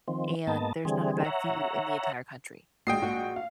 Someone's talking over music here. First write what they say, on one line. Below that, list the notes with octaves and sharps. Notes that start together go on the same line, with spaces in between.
and there's not a bad view in the entire country.
D#3 F3 C4
G#2 A#3 B3 D#5 A5
D3 E3 G3 C4 G#4
C#5 E5 F#5 A#5
A#1 G#3 F#4 G5 D#6 C7
F#4 F#5
F5